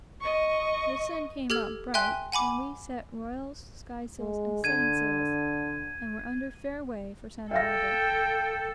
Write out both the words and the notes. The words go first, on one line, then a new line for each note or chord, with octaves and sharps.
The sun came up bright, and we set royals, skysails, and studding-sails, and were under fair way for Santa Barbara.
D#5 C#6
G4 A4 F6 G#6
E5 G5 G#5 C6 F#6
F#5 G#5 B5 D6
G#3
D3 G#6 D#7
A4 E5 F5 G5 A#6